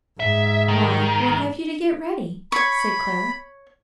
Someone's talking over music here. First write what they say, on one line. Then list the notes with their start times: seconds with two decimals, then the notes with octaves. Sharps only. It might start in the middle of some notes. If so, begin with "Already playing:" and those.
"Why, what have you to get ready?" said Clara.
0.20 G#2 E5
0.68 D#3
2.52 C#5 B5 C#6